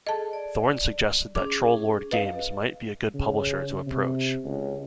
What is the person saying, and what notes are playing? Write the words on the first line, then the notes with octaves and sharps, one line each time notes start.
Thorne suggested that Troll Lord Games might be a good publisher to approach.
G#4 A4 D#5 A5
D5
C#4 G#4 D6
B4 D#5 F5
C#3
C3
C#2